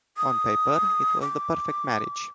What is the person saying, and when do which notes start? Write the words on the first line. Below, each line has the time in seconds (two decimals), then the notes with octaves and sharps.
On paper it was the perfect marriage.
0.17 D#6
1.21 D6